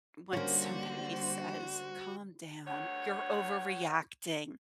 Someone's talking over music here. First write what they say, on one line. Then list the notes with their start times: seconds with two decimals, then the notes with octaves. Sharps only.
when somebody says, "Calm down, you're overreacting,"
0.33 D3 G3 A#3 C#4 F#4 C5
2.67 D2 G2 C#5 F#5